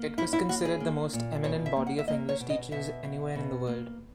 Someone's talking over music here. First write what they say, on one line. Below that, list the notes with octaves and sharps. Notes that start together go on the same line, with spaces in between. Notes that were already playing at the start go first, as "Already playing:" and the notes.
It was considered the most eminent body of English teachers anywhere in the world.
Already playing: A#3
C#4 E4
E4
A#3 F#4
G#4
A#3
A#2
B2 C#5
E5
A#3
F#5
E5
A#3 D#5
C#5
B2
D#5
B2 E5
B2
B2
A#3